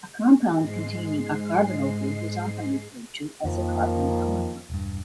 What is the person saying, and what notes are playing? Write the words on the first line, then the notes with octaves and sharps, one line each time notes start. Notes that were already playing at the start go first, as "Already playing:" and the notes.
A compound containing a carbonyl group is often referred to as a carbonyl compound.
G#2 G#3 C7
F2 D#3 F3 A#3
E1 G2